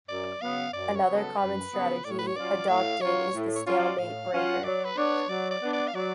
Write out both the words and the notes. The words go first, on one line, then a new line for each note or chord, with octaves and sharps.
Another common strategy adopted is the "stalemate-breaker".
F#2 D5
C#3 F#3 B3 F5
F#2 D5
C#5
C#3 F#3 B3
A4
F#2 B4
C#3 F#3 B3
A2 D5
C#5
B4
C#5
F#3 C#4 F4 D5
A2 F5
F#3 C#4 F4 C#5
A2
C#5
F#3 C#4 F4 C#5
D5
A2 F5
F#3 C#4 F4 F#5
F#3 D5
B4
B3 D4 C#5
F#3 D5
D5
B3 D4
D5
F5
F#3 D5